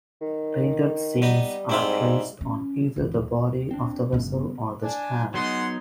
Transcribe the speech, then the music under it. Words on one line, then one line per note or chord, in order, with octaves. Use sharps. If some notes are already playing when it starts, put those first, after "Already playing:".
Painted scenes are placed on either the body of the vessel or the stand.
D#3
G3 B3 D#4
G#2 C4 E4 F4
C#4
G#1 E2
D#2
C4 D4
G1 C#3 B3
D4 G#5
F#3 G#3 B3 D#4 F#5 C6